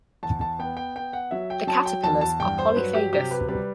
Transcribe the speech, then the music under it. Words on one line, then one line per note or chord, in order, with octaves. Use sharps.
The caterpillars are polyphagous.
E2 A5
A5
B3 G5
G5
B3 G5
F#5
F#3 E5
G5
F#3 A5
G5
E2 A5
A5
G2 G5
C5
F#3 B4
G4
C3 G4
B4
G3 B4